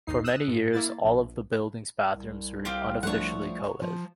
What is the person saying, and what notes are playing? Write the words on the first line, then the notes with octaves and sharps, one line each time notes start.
For many years, all of the building's bathrooms were unofficially co-ed.
G#1 D#2 D#4 C7
D#6 E6 F#6 E7
G#2
A#3 E4 A6
A#1
C2
C4 F4 G4
F3 A3 D4 C#5 F#5
F3